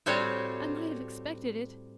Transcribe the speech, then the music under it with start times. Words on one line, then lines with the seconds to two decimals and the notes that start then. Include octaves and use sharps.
I might have expected it.
0.06 A2 G3 C4 F#4 C#5 A5